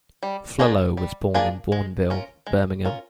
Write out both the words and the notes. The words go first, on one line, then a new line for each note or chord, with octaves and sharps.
Flello was born in Bournville, Birmingham.
G3
A#3 D4 F4 G#4
G3
A#3 D4 F4 G#4
G#3
C#4 F4 A#4
G#3
C#4 F4 A#4